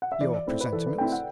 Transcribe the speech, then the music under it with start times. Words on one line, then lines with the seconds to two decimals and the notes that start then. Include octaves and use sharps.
"Your presentiments?"
0.02 F#5
0.12 E5
0.20 E3 D5
0.34 D5
0.46 A3 C4 E4 C5
0.61 B4
0.72 E3 A4
0.86 B4
0.98 A3 C4 E4 G5
1.12 F#5